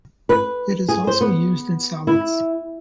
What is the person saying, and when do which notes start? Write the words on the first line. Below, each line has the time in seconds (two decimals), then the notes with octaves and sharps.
It is also used in salads.
0.29 B4
0.89 G#4
1.07 C5
1.21 B3
2.07 E4